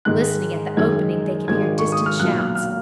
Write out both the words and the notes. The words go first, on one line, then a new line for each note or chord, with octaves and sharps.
Listening at the opening they could hear distant shouts.
G#2 D#3 G#3 D#4 F#6
F#2 D#3 G#3 D#4 G#6
G#1 G#2 D#3 G#3 G#6
C#6
D#6
F6
B1 A#2 F#3 F#6
F6
F6